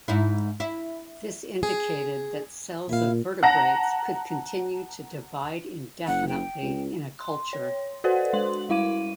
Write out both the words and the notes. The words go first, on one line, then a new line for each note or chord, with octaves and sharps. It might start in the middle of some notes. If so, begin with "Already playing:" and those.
This indicated that cells of vertebrates could continue to divide indefinitely in a culture.
G#2 D#4 E4
E4
G#4
A#2 E4 F5
F#5 A5 A#5 A#6
F#1 F#5
G5
C#2
C6
C#5
F#4 A4 B4 C5 D5 F#5
G#3 C6 F#7
G3 E4 F5 D6 D#7